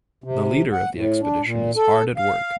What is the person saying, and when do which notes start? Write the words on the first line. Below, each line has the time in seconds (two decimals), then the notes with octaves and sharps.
The leader of the expedition is hard at work.
0.24 C3
0.72 F#5
0.95 A2
1.22 D4
1.45 A#2
1.76 A4
2.17 F5